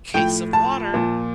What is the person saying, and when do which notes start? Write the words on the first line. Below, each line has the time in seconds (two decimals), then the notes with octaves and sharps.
case of water
0.14 A2 F3 G5
0.53 A5
0.94 A#2 F3